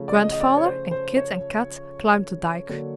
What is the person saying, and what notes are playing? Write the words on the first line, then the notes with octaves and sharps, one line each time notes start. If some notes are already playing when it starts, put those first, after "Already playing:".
Grandfather and Kit and Kat climbed the dyke.
Already playing: C#3 F3 A3 C#4
D5
D#5
D#5
D5
C#5
C5
C5
C#5
D3 F#3 A#3